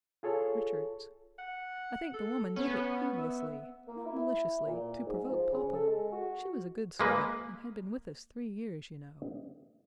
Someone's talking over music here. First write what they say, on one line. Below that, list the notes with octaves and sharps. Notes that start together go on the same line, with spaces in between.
Richard's.' I think the woman did it heedlessly, not maliciously, to provoke papa; she was a good servant, and had been with us three years you know.
F4 G#4 A4 C#5
F#5
A4
B3 C#4
E5
A#3
E4
A#2
G#2
F3
C#3
A4
G#3
F#4
G#3 A#3 B4